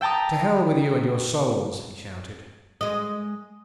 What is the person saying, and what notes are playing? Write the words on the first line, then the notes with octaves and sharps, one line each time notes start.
"To hell with you and your souls!" he shouted.
E5 G5 A5 A#5 D#6
G#3 D#5